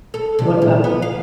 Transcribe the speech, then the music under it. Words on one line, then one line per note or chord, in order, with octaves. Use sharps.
what about you?
A4
C3
A#2
B3
F5